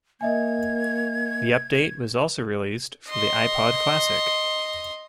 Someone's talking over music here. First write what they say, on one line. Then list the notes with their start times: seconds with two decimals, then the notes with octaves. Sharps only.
The update was also released for the iPod Classic.
0.21 A#3 D#5 E5 G#5 G#6
3.09 D#5 C6